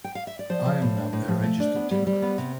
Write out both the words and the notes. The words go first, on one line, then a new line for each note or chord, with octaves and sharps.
I am now a registered Democrat.
G5
F5
E5
D5
F3 C5
F3
A2
D4
A2
F3
A3
D4
B3
G3
G3
B3
C3